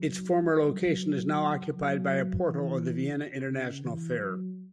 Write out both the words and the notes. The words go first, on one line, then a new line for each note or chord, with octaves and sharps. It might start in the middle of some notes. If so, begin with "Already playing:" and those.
Its former location is now occupied by a portal of the Vienna International Fair.
Already playing: F#3
G3
F#3
F#3
E3
C#3
E3
F#3